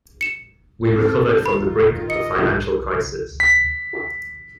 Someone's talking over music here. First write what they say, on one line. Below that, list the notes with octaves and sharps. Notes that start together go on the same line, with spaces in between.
We recovered from the brink of a financial crisis.
C#7 E7
C4 A4
D#3 F4 B5
D#5 C#7
B6